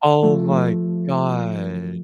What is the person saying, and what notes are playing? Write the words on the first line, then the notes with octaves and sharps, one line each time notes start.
Oh my god!
F3 A3